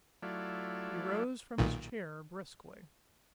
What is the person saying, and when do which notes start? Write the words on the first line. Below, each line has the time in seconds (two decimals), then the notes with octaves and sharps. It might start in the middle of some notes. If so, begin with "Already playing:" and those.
He rose from his chair brusquely.
0.23 F#3 A3 E4 F4 D5
1.58 B1 A#2 D#3